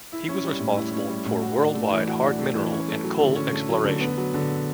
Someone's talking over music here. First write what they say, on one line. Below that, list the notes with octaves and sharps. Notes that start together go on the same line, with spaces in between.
He was responsible for worldwide hard mineral and coal exploration.
E4
C#4
G3
A2
E4
C#4
G3
A2
F#4
D4
A3
E3
F#4
D4
A3
E3
C#4
A3
F#3
D3
C#4
A3
F#3
D3
B3
F#3
D3